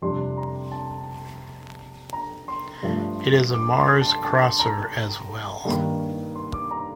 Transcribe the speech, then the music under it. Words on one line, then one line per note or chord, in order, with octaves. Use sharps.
It is a Mars-crosser as well.
F2 C3 G3 D4 C6
A#5
A5
A#5
C6
G2 F3 A3
D6
C6
A5
A5
A#5
G2 D#3 A#3
C6
D6
A#5